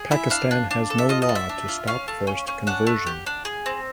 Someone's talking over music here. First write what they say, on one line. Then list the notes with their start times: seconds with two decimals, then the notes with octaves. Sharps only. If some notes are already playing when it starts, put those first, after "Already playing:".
Pakistan has no law to stop forced conversion.
Already playing: G#4
0.11 E4 E5
0.30 D4 F5
0.51 D4
0.71 D4
0.90 A4
0.98 E5
1.09 F4 D#5
1.22 D#5
1.29 D4
1.35 E5
1.49 D4
1.68 F4
1.87 C#4 F5
2.08 A3
2.27 C#4
2.48 C#4
2.67 D4 F#5
2.87 A3
3.07 G4
3.26 D4
3.45 G#4
3.66 C4